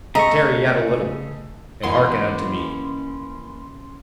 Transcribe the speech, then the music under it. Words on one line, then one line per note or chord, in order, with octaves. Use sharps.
Tarry yet a little and hearken unto me.
C#3 A3 G#4 A4 D#5 A#5 C#6
E3 A#3 C#4 E4 D#5 F#5 G#5 C6